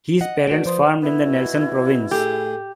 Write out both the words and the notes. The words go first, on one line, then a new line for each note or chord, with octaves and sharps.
His parents farmed in the Nelson province.
D#5 F#5
A3 F#4 B4 D5 D7
F3 C5 C6 D#6
B3 E4
B2
A2 G4 G#4